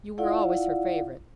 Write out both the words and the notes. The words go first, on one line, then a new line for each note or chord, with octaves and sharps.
You were always her favourite.
E4 F4 D5 F5 F#5